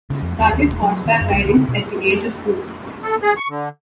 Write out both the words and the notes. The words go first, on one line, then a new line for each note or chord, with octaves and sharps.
She started horseback riding at the age of two.
C#3
F2
E2
D#2
E1
F#3
D#3
F#2
C2
D2
C#3
B2
A4
G#4
C#6
D3